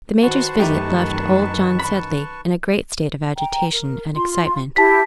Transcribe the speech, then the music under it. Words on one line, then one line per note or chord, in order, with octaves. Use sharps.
The Major's visit left old John Sedley in a great state of agitation and excitement.
D#3 F#4 B4 C5 A5 C#6
F#2 D#3 A3 D#4 G4
B5
G5 A#5
A#4
F4 C6
E4 G4 A5 B6